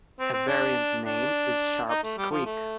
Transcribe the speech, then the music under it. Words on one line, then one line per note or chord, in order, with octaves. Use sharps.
A variant name is "Sharps Creek".
C4
C4
D4
D4
D#4
A3
G3
F3
A3